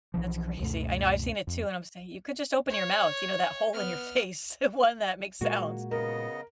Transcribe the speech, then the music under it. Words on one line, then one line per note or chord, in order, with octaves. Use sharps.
That's crazy, I know, I've seen it too, and I would say, "You could just open your mouth, you know? That hole in your face, the one that makes sounds."
B1 F2 E3 F3
C#2 F#2 B2 A3
F2
C#5
B3 F6
A#2 G#3 A#3 F#4
C#3 B3 A#4 D#5